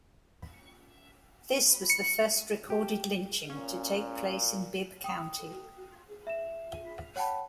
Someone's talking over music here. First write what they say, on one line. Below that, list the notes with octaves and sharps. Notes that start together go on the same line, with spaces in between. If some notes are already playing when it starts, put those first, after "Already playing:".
This was the first recorded lynching to take place in Bibb County.
C#7
G4
A#2 C#4
G5 D#6
E5 E7
C#5 F#5 G5 A5 B5